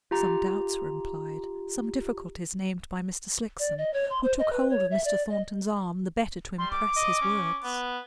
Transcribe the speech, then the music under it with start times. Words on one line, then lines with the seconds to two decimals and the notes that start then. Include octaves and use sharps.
Some doubts were implied, some difficulties named by Mr. Slickson, who took hold of Mr. Thornton's arm, the better to impress his words.
0.11 F4 G4 A#5
3.59 D5
3.78 D#5
3.94 C#5
4.10 C6
4.23 C5
4.39 D#5
4.52 B4
4.70 C#5
4.91 E5
5.05 D5
5.30 D#5
6.58 G3 C6
6.71 D6
6.96 D#5
7.21 C#4
7.63 B3